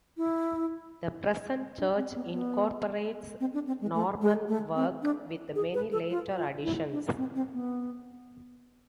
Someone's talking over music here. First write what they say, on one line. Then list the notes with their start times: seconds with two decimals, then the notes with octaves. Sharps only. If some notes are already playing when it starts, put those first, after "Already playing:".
The present church incorporates Norman work, with many later additions.
0.17 E4
1.79 D4
1.97 C4
2.11 C4
2.15 B3
2.33 B3
3.40 C4
3.54 D4
3.67 C4
3.81 G#3
3.94 A3
4.22 G#3
4.48 A3
4.75 C4
5.02 D4
5.55 G#4
5.74 B4
5.92 A4
6.10 F4
6.37 F4
6.63 E4
6.90 D4
7.18 C4
7.35 C4
7.53 B3